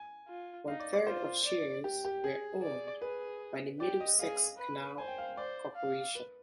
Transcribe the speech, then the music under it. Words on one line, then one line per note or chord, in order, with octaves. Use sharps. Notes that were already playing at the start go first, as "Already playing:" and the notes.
One-third of shares were owned by the Middlesex Canal Corporation.
Already playing: G#5
F4
D#4 F5
D5
D5
F4 C5
D5
G4
G4
G#4
D5
G#4 B4
G4 D5
D#5
G#4 F5
B4
C5 G#5
G5
F5
C5 D5
F5
B4